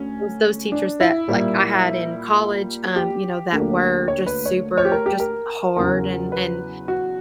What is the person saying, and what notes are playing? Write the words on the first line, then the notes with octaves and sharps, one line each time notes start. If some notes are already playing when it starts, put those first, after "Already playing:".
those those teachers that, like, I had in college, um, you know, that were just super just, hard and and
Already playing: D2 C#4
D4
E4
A#2 G3 A#3
G4
D2 D3 A#3
C#5
B4
C#5
C#5
G4
A#4
G4
A#4
E2 C#3 F#3 A#4
B4
F#4